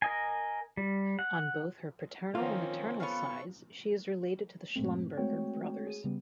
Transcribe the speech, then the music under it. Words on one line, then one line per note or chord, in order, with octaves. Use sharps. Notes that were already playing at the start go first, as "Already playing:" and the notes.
On both her paternal and maternal sides she is related to the Schlumberger brothers.
A#4 D#5 G#5
G3
F#5
D#3 F3 A#3 C4 C#4 F4 F5
B3 A4 F5 C#6
G2 A#2 G#3 A3 C4
G#3 A3 C4 F#4 C#5 G5
G#4 D#7
C#3 G3 B3